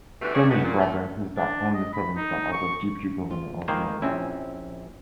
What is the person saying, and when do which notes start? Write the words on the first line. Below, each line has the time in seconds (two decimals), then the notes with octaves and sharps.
Flemish Brabant is that only province that has a Deputy Governor as well.
0.22 B2 D3 E3 G3 A3
0.34 C4 G#4 C#5 D5
0.48 G#3 B3
0.63 A#2
0.79 A3
1.37 D4
1.74 D#5
1.93 B5
2.16 D#4
2.52 C#6
3.30 F4
3.68 D#3 G#3 A#3 B3 C5
4.02 A#1 C4 C#4 E4